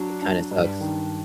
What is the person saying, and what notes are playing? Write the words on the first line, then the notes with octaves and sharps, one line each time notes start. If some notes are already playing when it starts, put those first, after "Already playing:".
it kinda sucks,
Already playing: F#3 D4
D4
G2
D#3